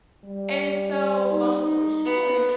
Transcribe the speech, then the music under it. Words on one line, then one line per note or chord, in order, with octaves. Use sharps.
And so, long story short,
G3
D#4
B3